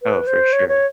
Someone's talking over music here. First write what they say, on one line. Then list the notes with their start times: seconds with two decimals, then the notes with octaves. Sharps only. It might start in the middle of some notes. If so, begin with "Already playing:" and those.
Oh, for sure.
0.02 B4
0.27 C5
0.53 C#5
0.69 C#5